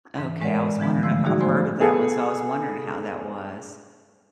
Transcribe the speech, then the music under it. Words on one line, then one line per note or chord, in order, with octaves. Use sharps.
Okay, I was wondering if I've heard of that one, so I was wondering how that was.
G#2 E3
A2 G#3 A#4 C#5 D5 F#5
D3 E3 F3 G#3 B3
G#2 D3 F3 A3 E6
G3 D#4 F#4 G#4 D5
F3 A3 B3 C5 G#5 C6
B3 G#4 A4